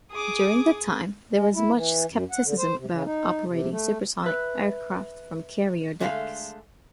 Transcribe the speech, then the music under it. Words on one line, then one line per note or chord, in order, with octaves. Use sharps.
During the time, there was much skepticism about operating supersonic aircraft from carrier decks.
G#4 D6 D#6
G#3
E4
E3
F#2
F#5
D3
C5
C3
C#3
D#4
C3
A3
B4 E5 E6
D3 G#3 A3 D#5 F5